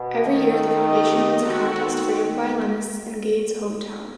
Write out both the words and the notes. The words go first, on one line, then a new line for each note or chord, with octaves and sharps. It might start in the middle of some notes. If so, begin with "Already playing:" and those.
Every year the foundation holds a contest for young violinists in Gade's hometown.
Already playing: B2
D#3 A3 D#4 A4
A3 D#4 G4 D#5
D#3 C4 F#4 A4
D#3